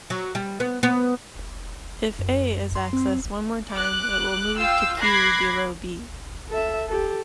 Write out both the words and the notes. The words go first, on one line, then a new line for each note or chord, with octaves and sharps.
If "a" is accessed one more time it will move to Q below "b".
F#3
G3
B3
B3
F#2
C6
C4
D6 F#6
F4 F5 G5 E6
B5 D6 F#6 G#6 A#6 C7
A4 E5
G4 A4